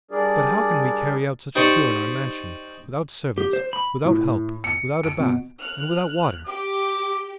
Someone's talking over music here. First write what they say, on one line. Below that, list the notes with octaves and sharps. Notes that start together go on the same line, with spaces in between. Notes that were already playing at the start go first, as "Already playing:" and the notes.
But how can we carry out such a cure in our mansion, without servants, without help, without a bath, and without water?
G3 D4 G#4 A#4 D5
D#4 G4 C5 D5 D#5 C#6
G4
C5
B5
A2
C#7
D7
B2
F6 F#6
G4 D6